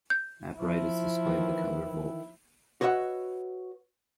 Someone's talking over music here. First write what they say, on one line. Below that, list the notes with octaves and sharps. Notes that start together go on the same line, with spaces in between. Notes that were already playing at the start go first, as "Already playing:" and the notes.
At right is displayed the color Volt.
G6
F3 E4
D#3 E3 A#3
F#4 B4 C#5 D#5 E5 F#5